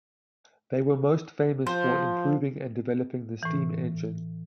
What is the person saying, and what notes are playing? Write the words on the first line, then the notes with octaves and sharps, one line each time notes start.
They were most famous for improving and developing the steam engine.
F3 C5
A2 E3